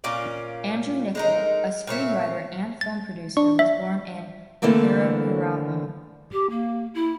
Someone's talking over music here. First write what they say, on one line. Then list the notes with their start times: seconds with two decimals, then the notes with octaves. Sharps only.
Andrew Niccol, a screenwriter and film producer, was born in Paraparaumu.
0.04 A#2 C#4 F4 D5
1.15 G#3 D#4 A#4
1.87 A#2 C4 C#5 E5
2.81 A6
3.37 D4 C#6
3.59 E5
4.62 D3 E3 A3 A#3 C4
6.32 G4
6.50 A#3
6.94 E4